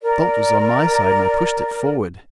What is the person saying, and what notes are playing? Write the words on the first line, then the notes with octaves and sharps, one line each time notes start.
The bolt was on my side, and I pushed it forward.
A#4 D5